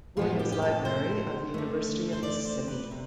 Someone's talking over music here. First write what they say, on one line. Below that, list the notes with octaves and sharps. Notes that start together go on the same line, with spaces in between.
Williams Library of the University of Mississippi.
A2 F3 B3 F4
G4
G4
A4
C5
D3 A3
C5
D5
C5
B4
C3